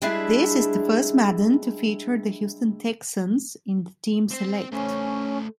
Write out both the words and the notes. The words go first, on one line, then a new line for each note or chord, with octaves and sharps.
This is the first Madden to feature the Houston Texans in the team select.
G3 G#3 D4 E4 G#4 E5
C4 C5
A3 C#4 C5